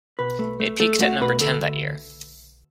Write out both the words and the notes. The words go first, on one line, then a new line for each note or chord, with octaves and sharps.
It peaked at number ten that year.
B2 B4
A3
A3
A3 A4
A3 F#4
B2 B4
D2 A4
D2